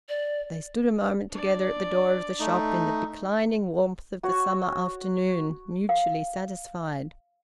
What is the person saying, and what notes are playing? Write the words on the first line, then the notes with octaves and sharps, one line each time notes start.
They stood a moment together at the door of the shop, in the declining warmth of the summer afternoon, mutually satisfied.
D5
D4 D5
A3 D#4
F#4 C#5
F5